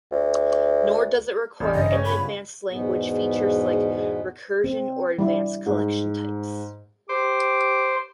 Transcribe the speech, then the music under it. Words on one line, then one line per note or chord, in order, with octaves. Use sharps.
Nor does it require any advanced language features like recursion or advanced collection types.
D2
A1
G2 C#3 D#5
C#4 G4 B4
B3 F4 G#4 B5
E2 G#2 B2 B3
C4
G3 E4
G#2
G4 C5 D6